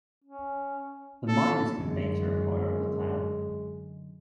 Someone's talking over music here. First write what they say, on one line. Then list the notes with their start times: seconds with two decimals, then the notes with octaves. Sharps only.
The mine is the major employer of the town.
0.24 C#4
1.28 A4
1.79 F#2 D3 F#3 G#3 C#4